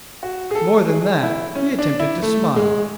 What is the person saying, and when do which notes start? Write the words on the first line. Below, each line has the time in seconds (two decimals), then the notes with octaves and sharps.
More than that, he attempted to smile.
0.23 F#4
0.51 G#4
0.55 A4
0.89 G#4
1.23 E4
1.55 C#4
1.79 D4
2.00 E4
2.22 A3
2.56 G#3